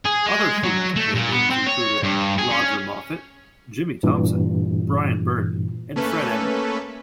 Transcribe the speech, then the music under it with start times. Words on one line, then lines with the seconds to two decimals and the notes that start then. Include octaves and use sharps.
Other human companions included Roger Moffat, Jimmy Thompson, Bryan Burdon and Fred Emney.
0.05 G#4
0.26 G#3
0.63 F#3
0.96 A3
1.15 A#2
1.32 B3
1.50 C4
1.66 C#5
2.03 G2
2.38 G#4
2.51 C#4
4.03 G2 A#2 E3
5.96 A3 A#3 C#4 A4 B4